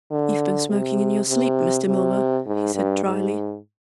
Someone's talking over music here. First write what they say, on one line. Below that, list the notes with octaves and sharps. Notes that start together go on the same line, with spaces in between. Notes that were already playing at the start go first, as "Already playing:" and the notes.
"You've been smoking in your sleep, Mr. Milburgh," he said dryly.
D3
C3
C3
C3
G#2
G2
G#2